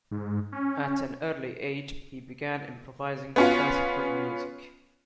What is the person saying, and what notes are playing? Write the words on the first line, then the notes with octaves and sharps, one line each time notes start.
At an early age he began improvising classical music.
G#2
C#4
B3 C#4 F4